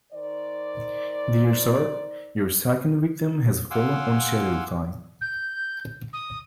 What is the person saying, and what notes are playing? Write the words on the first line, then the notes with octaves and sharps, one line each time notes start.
Dear Sir, Your second victim has fallen on schedule time.
D#3 C5 D5
F5 F#5 G#5 C6 D6 E6
G6
D#6